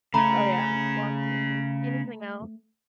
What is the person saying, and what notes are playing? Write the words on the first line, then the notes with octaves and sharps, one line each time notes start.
Oh, yeah walking. Anything else?
C#3 A3 C#4 A#5 B5